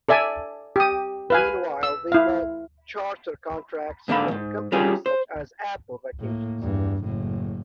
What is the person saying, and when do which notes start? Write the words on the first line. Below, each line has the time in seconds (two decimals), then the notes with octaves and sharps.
Meanwhile, they won charter contracts from companies such as Apple Vacations.
0.09 A4 D5 E5 G#5
0.76 G4 D#6
1.30 B4 F5 G#5
1.83 E6
2.12 E4 F5
4.08 G#2 D3 A#3 F5 B5
4.28 E2 G#2
4.72 G3 C#4 F4 G4 G#4
5.06 C5
6.19 A2 A#3
6.59 E2 G2
7.03 F#1 A2